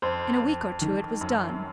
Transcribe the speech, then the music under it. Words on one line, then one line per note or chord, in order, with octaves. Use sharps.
In a week or two it was done.
F2 C5
F2
D#3
F#2